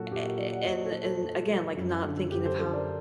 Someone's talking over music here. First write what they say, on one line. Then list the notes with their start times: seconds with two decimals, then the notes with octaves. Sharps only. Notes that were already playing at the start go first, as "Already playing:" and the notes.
a a and and again, like, not thinking of how
Already playing: A#2 F#3 F#4 A4
0.11 A#2 G4
0.25 G4 A#4
0.38 F#3 A#4 D5
0.53 D5 F#5
0.67 A#2 C5 D#5
0.85 A4 C5
0.94 F#3
1.03 A4 C5
1.21 A#2
1.49 F#3
1.76 F#2
2.04 D3 F#3
2.31 F#2 G4
2.45 A4 C5
2.59 D3 F#3 A4 C5
2.73 A#4 D5